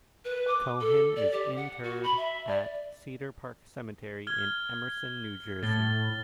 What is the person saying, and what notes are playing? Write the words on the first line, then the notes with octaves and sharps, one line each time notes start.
Cohen is interred at Cedar Park Cemetery, in Emerson, New Jersey.
B4
D6
A4
D5
G4
F#5
F#4
B5
E5
D5
F6 G#6 G7
A2 A6 G7